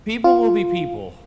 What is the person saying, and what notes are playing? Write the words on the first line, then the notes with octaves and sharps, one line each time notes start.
"People will be people
F4